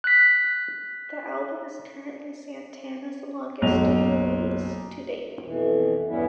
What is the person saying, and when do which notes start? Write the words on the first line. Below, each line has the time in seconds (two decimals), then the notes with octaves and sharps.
The album is currently Santana's longest studio release to date.
0.04 F#6 B6
3.62 F#1 B1 F7
5.46 F2 B2 E3
6.09 E2 G2 G3 B3 C#4 E4